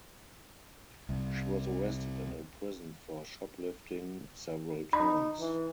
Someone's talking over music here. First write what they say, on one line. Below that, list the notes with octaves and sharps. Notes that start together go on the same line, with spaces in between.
She was arrested and imprisoned for shoplifting several times.
C2
D#4 B5
E3